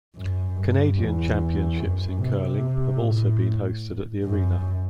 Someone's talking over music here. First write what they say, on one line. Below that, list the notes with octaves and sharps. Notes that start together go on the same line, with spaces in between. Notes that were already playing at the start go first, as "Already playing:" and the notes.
Canadian championships in curling have also been hosted at the arena.
F#2
G2
E2
F#2
C3
A2
F#2